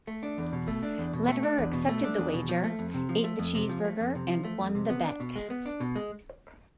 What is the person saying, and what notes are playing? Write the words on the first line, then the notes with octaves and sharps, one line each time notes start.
Lederer accepted the wager, ate the cheeseburger, and won the bet.
A3
D4
E2
B2
A3
D4
E2
B2
A3
D4
E2
B2
A3
D4
E2
B2
F3
A3
F2
C3
F3
A3
F2
C3
F3
A3
F2
C3
F3
A3
F2
C3
B3
D4
B2
G#3
B3
D4
B2
G#3